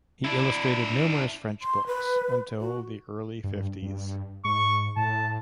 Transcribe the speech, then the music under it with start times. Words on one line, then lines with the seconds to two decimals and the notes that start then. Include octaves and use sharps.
He illustrated numerous French books, until the early fifties.
0.24 D4 E4
1.62 C6
1.87 B4
2.60 F#4
3.44 G2
3.82 G2
4.45 G#2 C#6
4.96 A2 A5